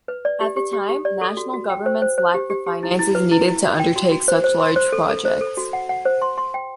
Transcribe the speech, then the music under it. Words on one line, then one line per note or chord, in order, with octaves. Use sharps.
At the time, national governments lacked the finances needed to undertake such large projects.
B4
D5
G4
G4
G4
G4
D5
A4
F#4
F#4
G5
C5
C5
C5
G4
G4
G4
E4
E4
B4
E4
E4
F#4
G5
F#4
F#4
C5
C5
C6
C5
A4
A4
C5
A4
F#4
F#5
F#5
C5
C6
C6
G5